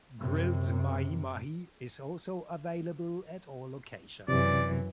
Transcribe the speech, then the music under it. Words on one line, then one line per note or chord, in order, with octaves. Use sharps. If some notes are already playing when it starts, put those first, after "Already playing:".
Grilled mahi-mahi is also available at all locations.
F#2 C3
F#2 C3 E3 D5